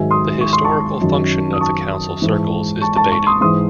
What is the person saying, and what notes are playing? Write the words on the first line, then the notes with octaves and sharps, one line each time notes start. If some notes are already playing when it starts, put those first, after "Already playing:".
The historical function of the council circles is debated.
Already playing: G#2 D#3 F#3 E5 G#5
C6 D#6
C#6
C6
A5 C#6
F#2 D#3 F#3
D#6
A5 C#6
G#2 E3
A5 C#6
A5 C#6
A5 C#6
C6 D#6
G#2 E3 C6 D#6